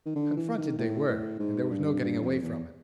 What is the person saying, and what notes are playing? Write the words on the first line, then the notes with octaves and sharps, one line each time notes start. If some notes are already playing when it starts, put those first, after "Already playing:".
Confronted they were, and there was no getting away from it.
D#3
D3
E3
D#3
A2
A2
G#2
G2
G2
F2
E2